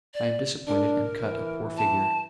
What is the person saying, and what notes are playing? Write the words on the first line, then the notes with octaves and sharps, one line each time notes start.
I am disappointed and cut a poor figure.'
D5
D4 A#4
E3
A5